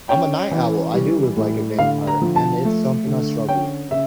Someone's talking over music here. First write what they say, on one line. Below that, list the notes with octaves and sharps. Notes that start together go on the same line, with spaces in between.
I'm a night owl, I do live like a vampire, and it's something I struggle with, man.
C#4 G5
E3
G3
A2
D3 F5
A#5
F3
A5
A3
D3
C#4 G5
C#3 E5